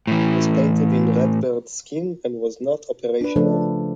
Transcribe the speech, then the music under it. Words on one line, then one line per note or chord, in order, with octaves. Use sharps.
It was painted in redbird scheme and was not operational.
A2 E3
D4 B4
C#3 F3 A3 D4 A4